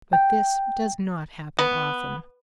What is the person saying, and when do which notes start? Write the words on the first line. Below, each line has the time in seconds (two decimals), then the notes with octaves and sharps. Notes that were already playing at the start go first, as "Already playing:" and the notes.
But this does not happen often.
0.13 G5
1.59 B3